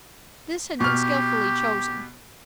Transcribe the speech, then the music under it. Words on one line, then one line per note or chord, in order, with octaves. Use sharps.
This had been skillfully chosen.
B2 G4 F6